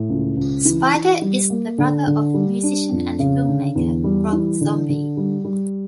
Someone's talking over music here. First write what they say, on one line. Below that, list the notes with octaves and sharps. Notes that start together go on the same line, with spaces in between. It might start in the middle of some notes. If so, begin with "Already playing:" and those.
Spider is the brother of musician and filmmaker Rob Zombie.
Already playing: A2
C#2
C#2
E3
E3
G3
A#3
D3
D3
G3
D4
F2
C#3
D3
E2
G3
E3
D3
D3
G3
G3